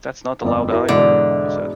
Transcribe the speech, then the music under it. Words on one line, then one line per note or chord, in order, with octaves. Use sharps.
"That's not allowed either," he said.
G1 F2 D5
E4 F#4 A#4
G#2 B2 D3 E3